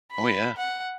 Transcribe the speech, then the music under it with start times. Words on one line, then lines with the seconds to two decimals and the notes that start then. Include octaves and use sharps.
Oh, yeah.
0.11 B5
0.57 F#5